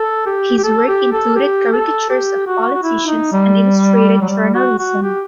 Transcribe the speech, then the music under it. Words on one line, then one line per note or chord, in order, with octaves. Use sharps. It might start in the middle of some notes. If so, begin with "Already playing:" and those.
His work included caricatures of politicians and illustrated journalism.
Already playing: A4
G4
G4
A4
G4
A4
G4
A4
G4
F#4
F#4
E4
D#4
G3
F#3
G3
F#4
F#4
G4